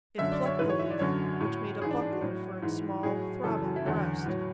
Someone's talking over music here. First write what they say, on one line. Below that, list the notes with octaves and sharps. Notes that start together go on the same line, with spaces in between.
It plucked the leaf, which made a buckler for its small throbbing breast.
F#2 D3 F#3 E5
D5
C#5
G#2 E3 B4
C#5
E5
D5
F#2 D3 F#3 C#5
A2 F#3
G#2 E3 G#4
D4
D4
F#4
A2 F#3
G#2 E3
A2 F#3 G#4
F#2 C#3 E3 A4
F#4
E4
E2 D3 F#3 F#4
A2 F#3